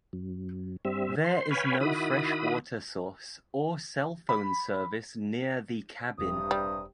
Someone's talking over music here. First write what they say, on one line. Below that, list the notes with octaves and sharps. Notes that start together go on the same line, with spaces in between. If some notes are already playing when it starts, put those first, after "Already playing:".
There is no freshwater source or cell phone service near the cabin.
F#2
G2 G3 C4 E5
C5 C6
B4 C#5 F5 G5 G#5 B5
D#3 E4 F#4 B5 D#6
B5
E1 G2 C3 D#6
G3